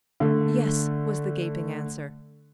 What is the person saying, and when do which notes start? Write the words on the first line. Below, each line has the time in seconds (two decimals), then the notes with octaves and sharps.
"Yes!" was the gaping answer.
0.20 D3 A3